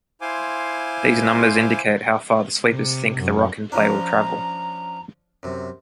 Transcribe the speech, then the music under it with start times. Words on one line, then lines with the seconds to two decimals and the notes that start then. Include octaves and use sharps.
These numbers indicate how far the sweepers think the rock in play will travel.
0.21 E4 C5 F5 G#5 C6 D6
2.69 C3
3.20 F#2
3.72 F3 C#4 D4 A#5
5.43 F#2 C3